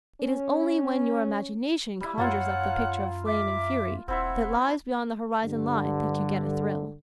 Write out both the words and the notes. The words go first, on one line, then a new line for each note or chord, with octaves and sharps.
It is only when your imagination conjures up the picture of flame and fury that lies beyond the horizon line that you get a thrill.
C#4
G3 E4
F#2 A#3 F4 C#5 F5 F#5
E5 D6
E1 C4 E4 E5 F#5
G2 D3